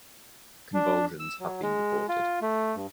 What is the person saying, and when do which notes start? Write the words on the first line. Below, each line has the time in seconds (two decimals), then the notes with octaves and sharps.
Convulsions have been reported.
0.74 D4
1.20 E6
1.40 F#3
1.62 G#3
2.09 F4
2.42 A3
2.76 G2